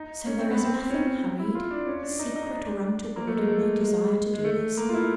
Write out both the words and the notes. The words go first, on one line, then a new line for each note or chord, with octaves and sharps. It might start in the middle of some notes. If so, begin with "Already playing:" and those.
So there is nothing hurried, secret, or untoward in my desire to do this.
Already playing: D#4
C#4
C4
B3
C4
C#4
C#4
E4
F4
D4
C#4
D4
D#4
D#4
D4
A#3
A3
G#3
A3
G#3
G#3
A3
A#3
F4
E4